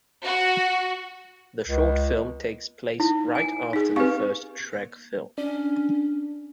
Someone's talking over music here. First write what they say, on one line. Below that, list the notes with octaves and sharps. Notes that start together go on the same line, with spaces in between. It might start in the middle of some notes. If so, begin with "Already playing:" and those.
The short film takes place right after the first Shrek film.
F#4
C#2
D#4 E4
F#5 G#5
D#4 G#4
C4 G4 B4 F5 C#6
C#4 D4